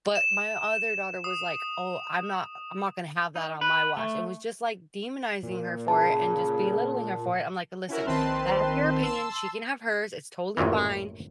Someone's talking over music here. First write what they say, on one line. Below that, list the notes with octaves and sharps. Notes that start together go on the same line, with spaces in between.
But my other daughter was like, "Oh, I'm not I'm not gonna have that on my watch," and was just, like, demonizing her for it and just belittling her for it, I'm like, "Listen, that's your opinion, she can have hers, it's totally fine,
E7
D#6
D#4
B4
A3
A#2
C#3 A5
C#4 E4 F#4 A#4
A#1 D#3 C4 B4 A5 C6
A5 C6 E6
A1 F#2 A#2 D#3 E3